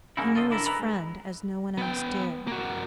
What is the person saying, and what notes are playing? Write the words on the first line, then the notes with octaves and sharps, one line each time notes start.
He knew his friend as no one else did.
F#2 G#3 A#3 C#4 D#4 E4
C#3 F4 A4 C5 D#5
D4 E4 A#4 E5
A4 B4 D#5 G#5 A#5 B5
G#3
B3 G5
A#3 F#4